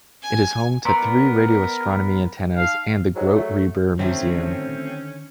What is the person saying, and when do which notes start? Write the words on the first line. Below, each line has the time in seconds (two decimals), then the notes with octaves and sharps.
It is home to three radio astronomy antennas and the Grote Reber Museum.
0.22 G#5
0.85 B3 A#4 D5 A#5 C6 E6
2.57 D#4 F5
3.16 G#2 F#3
3.35 A3
3.99 D3 D#3 F#3 A3 C4 C#4 G4 E5